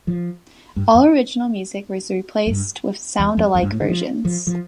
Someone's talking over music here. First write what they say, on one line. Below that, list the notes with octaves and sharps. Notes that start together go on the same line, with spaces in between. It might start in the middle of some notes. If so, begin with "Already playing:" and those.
All original music was replaced with sound-alike versions.
F3
G2
F2
F2
G2
E2
F2
F2
G2
A2
D3
F3
F3
F3